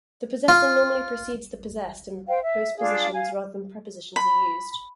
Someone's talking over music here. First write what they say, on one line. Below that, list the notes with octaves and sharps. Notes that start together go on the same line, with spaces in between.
The possessor normally precedes the possessed, and postpositions rather than prepositions are used.
F4
C5 F5 G5
E5
D4 F4 G#4 F5
F5 G#5
B5